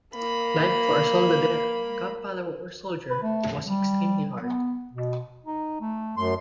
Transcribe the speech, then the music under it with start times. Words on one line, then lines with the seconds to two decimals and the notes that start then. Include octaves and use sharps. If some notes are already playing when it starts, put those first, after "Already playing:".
Life for a soldadera, camp follower or soldier, was extremely hard.
0.14 A#3 B5
3.10 B4
3.23 A3
3.62 G3
4.39 B3
4.93 B2
5.46 D#4
5.81 A3
6.17 F#2 A3 C6